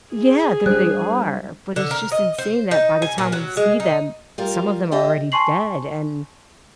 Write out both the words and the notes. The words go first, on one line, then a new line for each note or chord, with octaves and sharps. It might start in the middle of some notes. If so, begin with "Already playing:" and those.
Yeah, there they are, but it's just insane that by the time we see them, some of them are already dead and
G#4
G3 D4 C5 F#6
D3
A#4
D#5
C5
D#4
G#5
A#2
F#3
G#3
D#4
G3 F4 A#4
D4 G4 D#5 E5
G#5 A5 C6 C#6 C7 F#7